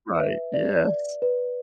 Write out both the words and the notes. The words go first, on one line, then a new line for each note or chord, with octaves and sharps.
Right. Yes.
B4 E5
D5
D5
B4